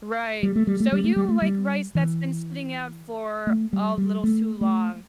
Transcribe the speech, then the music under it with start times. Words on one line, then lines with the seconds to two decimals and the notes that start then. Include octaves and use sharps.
Right. So you like rice that's been sitting out for a little too long.
0.43 G3
0.56 A3
0.67 G3
0.80 A3
0.92 G3
1.04 A3
1.16 G3
1.29 A3
1.42 G3
1.95 E3
3.47 A3
3.73 G3
3.98 G3
4.24 A3
4.61 A3